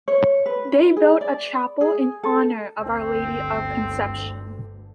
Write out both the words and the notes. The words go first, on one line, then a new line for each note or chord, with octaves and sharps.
They built a chapel in honor of Our Lady of Conception.
C#5
B4
G#4
D5
G#4
A4
G1 D2 D3 C4